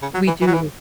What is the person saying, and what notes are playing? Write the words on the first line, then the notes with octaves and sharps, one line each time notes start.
We do.
C#3
F#3
E3
E3
F#3
E3